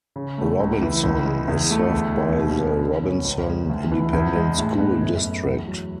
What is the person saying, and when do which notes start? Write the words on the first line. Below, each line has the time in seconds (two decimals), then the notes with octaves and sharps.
Robinson is served by the Robinson Independent School District.
0.16 C#3
0.38 A3
0.60 C#2
0.82 E3
1.03 C#2
1.26 G#3
1.48 E2
1.71 A3
1.92 D2
2.15 G#3
2.36 B2
2.59 B3
2.81 C#3
3.03 C#4
3.24 C#2
3.47 G#3
3.69 D2
3.92 E3
4.13 E2
4.35 G#3
4.58 A2
4.79 B3
5.02 F#2
5.24 A3
5.46 E2
5.68 F#3